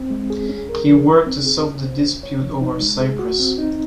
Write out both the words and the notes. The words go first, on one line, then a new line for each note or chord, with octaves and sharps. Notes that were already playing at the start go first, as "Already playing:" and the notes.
He worked to solve the dispute over Cyprus.
Already playing: C4
G#3
G#4
C#4
A#4
F3
D#4
C4
G#4
C#4
C5
C#4
C#5
F3
D#4
G#3
G#4
F#4
C4
D#4